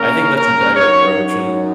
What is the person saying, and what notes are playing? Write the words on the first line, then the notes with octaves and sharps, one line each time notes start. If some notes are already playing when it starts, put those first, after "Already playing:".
I think that's a better approach, and
Already playing: C#3 A#3 C#4 A#4
A#4
F#2 F#3 D#4 C#5